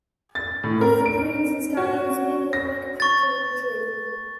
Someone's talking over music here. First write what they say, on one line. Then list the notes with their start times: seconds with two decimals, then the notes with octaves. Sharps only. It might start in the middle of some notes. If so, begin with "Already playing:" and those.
With the greens and scallions mingled like a picture in a dream.
0.35 A6
0.64 A2
0.81 A#4
1.06 D7
1.77 F#4
2.53 A#6
3.00 C#6 A6